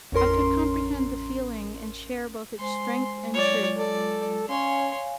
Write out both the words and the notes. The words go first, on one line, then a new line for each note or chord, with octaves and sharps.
I could comprehend the feeling, and share both its strength and truth.
A1 F2 C#4 A#4 C6
G#3 C5 G#5 C6
F#3 G#3 F4 C#5 D5
A4 D5
C#4 C#5 F5 G#5 C6